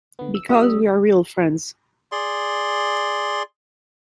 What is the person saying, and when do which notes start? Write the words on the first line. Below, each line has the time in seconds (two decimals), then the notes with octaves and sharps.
Because we are real friends.
0.19 D3 B3
0.35 E6
0.49 C#4 F4 G4 D#5 D#6 E6
0.63 G3
2.12 G#4 D5 C6